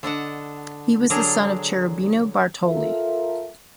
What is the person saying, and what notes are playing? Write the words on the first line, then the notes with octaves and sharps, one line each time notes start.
He was the son of Cherubino Bartoli.
D3 D4 D#5 F#5
D3 F#3 D4 G#4 A#4 A#5
F4 A4 A#4 E5